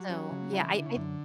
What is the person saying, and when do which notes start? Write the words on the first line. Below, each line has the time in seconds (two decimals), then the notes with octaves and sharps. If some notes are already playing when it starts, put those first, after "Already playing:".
So, yeah, I I
Already playing: F#3 G3
0.10 C#4
0.31 C#3
0.53 G3 E4
0.64 E3
0.75 D3 E4
0.86 C#3
0.96 F#2 D3